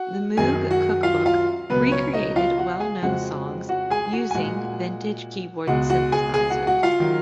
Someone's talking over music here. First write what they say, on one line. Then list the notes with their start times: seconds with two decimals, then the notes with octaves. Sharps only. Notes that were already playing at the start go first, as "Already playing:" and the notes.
The Moog Cookbook recreated well-known songs using vintage keyboard synthesizers.
Already playing: F#4 F#5
0.37 F#2 D#3 F#3 G#4 G#5
0.71 F#4 F#5
1.03 F4 F5
1.26 F4 F5
1.70 C#2 B2 F#3 B3 B4
1.92 C#4 C#5
2.14 D#4 D#5
2.36 F4 F5
2.58 F#4 F#5
2.80 G#4 G#5
3.02 F2 C#3 F3 G#3 F#4 F#5
3.69 F#4 F#5
3.90 G#4 G#5
4.12 F#4 F#5
4.31 G#5
4.34 A#2 G#3 F#4 F#5
5.67 C#2 B2 G#3 F#4 F#5
5.90 F#4 F#5
6.12 G#4 G#5
6.34 G#4 G#5
6.50 F#4 F#5
6.67 F#4 F#5
6.83 F4 F5
7.00 D#3 F#3